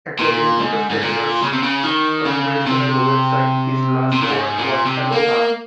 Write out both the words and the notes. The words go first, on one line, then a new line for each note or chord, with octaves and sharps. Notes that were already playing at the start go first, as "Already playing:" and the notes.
According to the senator's Congressional web site, his last word was "Aloha".
A#2
G#2
G#2
A#2
C#3
C3
C#3
D#3
C#3
C3
C3
A#2
G#2
A#2
C3
A#3